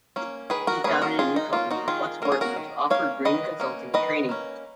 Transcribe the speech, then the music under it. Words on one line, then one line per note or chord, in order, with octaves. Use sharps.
He founded a new company, What's Working, to offer green consulting and training.
A#3 C#4
D#3 G#4 B4
F#4 A#4
A#3 C#4 G#4 B4
F#4 A#4
D#3 F4 G#4
D#4
A#3 C#4 F4
D#4 F#4
D#3 F4 G#4
A#3 C#4 A#4
G#4
F#4 A#4
D#3
A#3 C#4 C#5 F5
D#3 B4 D#5
A#3 C#4
D#3 B4 D#5
A#3 C#4